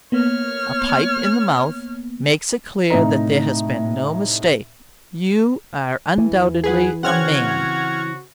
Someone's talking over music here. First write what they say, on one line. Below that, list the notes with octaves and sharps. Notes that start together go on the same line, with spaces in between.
A pipe in the mouth makes it clear that there has been no mistake--you are undoubtedly a man.
A#3 B3 C#5 F6
A2 C3 D#4 A#5
E2 E3
G#4 B4 F#5
C#3 C4 C#4 F#4 F#5 F6 G#6